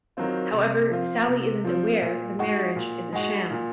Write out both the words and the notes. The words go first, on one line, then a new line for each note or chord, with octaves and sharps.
However, Sally isn't aware the marriage is a sham.
D#3 F#3 C4 F4
C3
F3 C4 F4
C3
F3 C4 F4
A#2
G#3 D#4 F#4
A#2
G#3 D#4 F#4
A#2